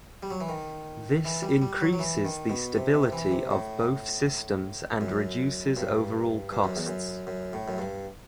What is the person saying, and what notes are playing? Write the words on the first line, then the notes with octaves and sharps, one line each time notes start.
This increases the stability of both systems and reduces overall costs.
G3
F#3
E3
D#3
E3
G3
G3
F#3
F#3
E3
D#3
B2
C3
C3
E3
C3
A2
F#2
G2
G2
F#2
E2
F#2
F#2
A2
F#2
G2